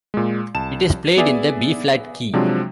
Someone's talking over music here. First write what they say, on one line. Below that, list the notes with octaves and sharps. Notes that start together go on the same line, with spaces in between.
It is played in the B flat key.
A#2 G#3
C2 A5 E7
B3 G#4 D5 E5 G#5
C3 F3 F#3 G#3 D4